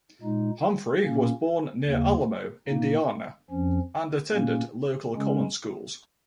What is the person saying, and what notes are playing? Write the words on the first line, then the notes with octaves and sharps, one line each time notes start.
Humphrey was born near Alamo, Indiana, and attended local common schools.
A#2 G#3 D#4
A#2 A#3 C#4
D#2 C#3 A#3
A#2 A#3 D#4
F2 F3 C#4
A#2 A#3 C#4
C#3 G#3 C#4